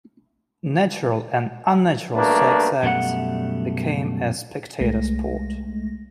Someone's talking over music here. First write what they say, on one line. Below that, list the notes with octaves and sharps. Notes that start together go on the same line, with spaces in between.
Natural and unnatural sex acts became a spectator sport.
B1 G2 A3 A#3 D4 B4
F#2 B2 G3 A3 F#5
C2 G#3 A3 A#6